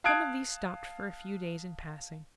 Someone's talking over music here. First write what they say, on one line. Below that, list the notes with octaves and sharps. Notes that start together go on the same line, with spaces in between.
Some of these stopped for a few days in passing.
F5 A5 D#6 F#6 G#6 D7